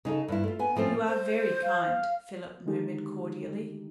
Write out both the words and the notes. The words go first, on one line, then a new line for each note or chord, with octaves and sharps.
"You are very kind," Philip murmured cordially.
C#3 D#4 A4
G2 E4
A3 F4
B3 G#5
A2 F3 A3 C4 C#4
C5
F5
D3 D#3 G#3 D#4 G4